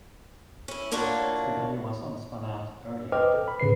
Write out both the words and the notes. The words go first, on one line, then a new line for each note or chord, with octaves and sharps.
Stefan Johansson spun out early on.
C#4 E4
A2 A#3 D4 F4 F#4 C#5
B4 C5 D#5 G5 D6 F6
A4
B5
G#2 C#3 B4 C7